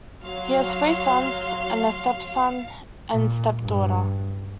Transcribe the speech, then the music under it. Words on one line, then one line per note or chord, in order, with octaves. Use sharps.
He has three sons, and a stepson and stepdaughter.
F#3 F5 C6
A#2
G2